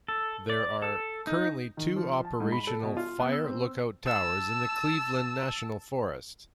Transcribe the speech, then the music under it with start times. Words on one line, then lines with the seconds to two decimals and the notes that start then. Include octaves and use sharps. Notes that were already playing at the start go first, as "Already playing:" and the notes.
There are currently two operational fire lookout towers in the Cleveland National Forest.
0.08 A4
0.50 D5
0.82 A4
1.27 D#4
1.77 D#3
1.96 F3
2.25 A5
2.40 G#2
2.52 B5
2.67 A4
2.83 B2
2.97 F4
3.20 B3
3.32 E6
3.44 C4
4.05 A5 E6